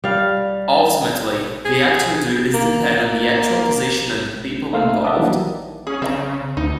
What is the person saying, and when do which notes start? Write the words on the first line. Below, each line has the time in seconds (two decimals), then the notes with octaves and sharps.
Ultimately the actual duties depend on the actual position and the people involved.
0.04 G3 F5
1.65 G#4
2.54 A#3
4.73 A3 A#3 D#4 C5 E5 F5
5.04 D#5 E5 F#5 A5 D6 D#6
5.16 D#3 E3 F#3 G3 A#3 D4
5.87 C#4 G#4
6.02 C#3 C4 E5 A#5
6.57 D2 D#4